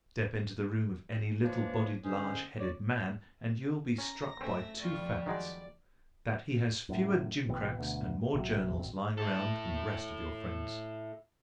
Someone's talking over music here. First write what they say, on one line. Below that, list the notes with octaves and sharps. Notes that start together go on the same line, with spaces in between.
Step into the room of any little-bodied large-headed man and you will be struck by two facts--that he has fewer jimcracks and more journals lying around than the rest of your friends.
E3 F3 G#3 A#3 D4 C#5
C2 G#2 D3 C#4 C5 D#6
C#5 D5
C#4 A#5 A#6
A3 C4 C#4 E5
F2 G3 F4 C#6
D#3 F#3 G#3 D5
F#2 A2
A1 B2 E3 C4
D2 B2
A#1 C3 F#3
G#1 E2 C4
E4 A4